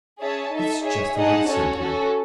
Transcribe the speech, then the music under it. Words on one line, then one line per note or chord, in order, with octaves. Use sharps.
It's just a little sentiment....
C#4 G#4 C#5 E5 A5
D#4 A4 E5
G#4 C#5 E5
D#4 G#4 D#5 F#5 A5
C#4 F#4 A4 C#5
C#4 F#4 A4